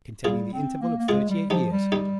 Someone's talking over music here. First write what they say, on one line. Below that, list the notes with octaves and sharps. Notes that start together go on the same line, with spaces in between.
Containing The Interval Of Thirty-Eight Years.
G3 F4 G#4
C4
A#3
A#3
G#3 F4 G#4
G3
F3 D#4 G4
G3
D#4 G4